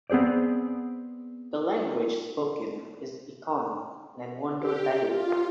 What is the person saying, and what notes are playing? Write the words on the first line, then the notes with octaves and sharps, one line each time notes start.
The language spoken is Eton, an Ewondo dialect.
B3 C4 G#4 C5 D5
G4
F4